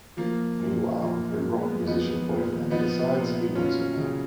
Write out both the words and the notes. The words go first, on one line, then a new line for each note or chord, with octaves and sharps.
Meanwhile, her rock musician boyfriend decides he wants her back.
F3 A#3
A#2
F3 A#3
G#3
A#2
G#3 B3
F3 B3 D#4
A#2
F3 B3 D#4
A#2
F#3 C#4 F4
C#3